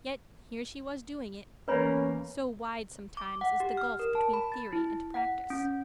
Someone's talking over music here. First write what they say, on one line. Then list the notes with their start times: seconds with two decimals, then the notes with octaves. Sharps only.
Yet here she was doing it . . . so wide sometimes is the gulf between theory and practice.
1.68 E2 A#3 C#4 A#4 B4 C#5 B5
3.17 D6
3.41 F#5
3.60 G4
3.77 F6
3.99 A#4
4.15 A5
4.33 B5
4.52 A6
4.73 E4
5.14 F#5
5.50 C#4